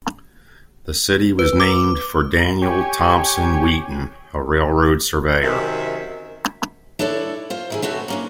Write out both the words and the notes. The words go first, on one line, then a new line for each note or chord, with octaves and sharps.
The city was named for Daniel Thompson Wheaton, a railroad surveyor.
B4
D6
G4 C#5 G#5
F#2 C3 D#3 E5
D4 E4 A4 C#5 D5
F4 C5
D#3 E4 G#4
A3 B3 C4 F#4 C#5
A#3 C#4 D4